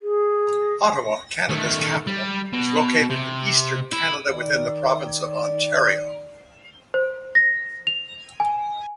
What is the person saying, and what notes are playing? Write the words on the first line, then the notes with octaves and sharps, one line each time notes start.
Ottawa, Canada's capital, is located in Eastern Canada, within the province of Ontario.
G#4
D#3 A3
G3
B2
C3
E4
D#3 D5
C5
A#6
F7
G#5